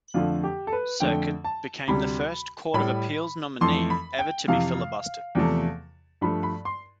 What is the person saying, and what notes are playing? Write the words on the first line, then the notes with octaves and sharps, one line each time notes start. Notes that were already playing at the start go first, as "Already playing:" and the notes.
Circuit, became the first court of appeals nominee ever to be filibustered.
F2 D3 F3 A3 F4
G4
A4
B4
F2 D3 A3 G5
A5
D2 C3 G3 B5
A2 G3 B5
F2 E3 A3 C6
B5
G5
F2 C3 E3 F5
E2 C3 F3 A3
G2 F3 A3 B5
B5
C6